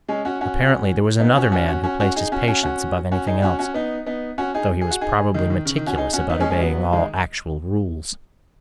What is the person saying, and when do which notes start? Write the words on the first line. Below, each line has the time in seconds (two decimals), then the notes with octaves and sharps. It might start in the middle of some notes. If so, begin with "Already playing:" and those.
Apparently there was another man who placed his patients above anything else, though he was probably meticulous about obeying all actual rules.
0.09 G#3 C#4
0.25 C#4 F#4
0.41 C#4 F#4
1.20 B3 D#4
1.36 C#4 F#4
1.52 C#4 F#4
1.68 C#4 F#4
1.84 C#4 F#4
2.00 C#4 F#4
2.16 D#4 G#4
2.32 C#4 F#4
2.48 C#4 F#4
2.63 C#4 F#4
3.12 C#4 F#4
3.27 D#4 G#4
3.43 C#4 F#4
3.59 C#4 F#4
3.74 B3 D#4
4.06 B3 D#4
4.38 C#4 F#4
4.54 D#4 G#4
4.81 G#4
4.91 F#4
5.01 D#4 G#4
5.34 D#3 G#3
5.50 D#3
5.65 C#3
5.76 D#3
5.87 C#4 F#4
5.97 D#4 G#4
6.13 C#4 F#4
6.29 B3 D#4
6.40 G#3 C#4
6.50 G#3 C#4
6.61 F#3 B3
6.93 D#3 G#3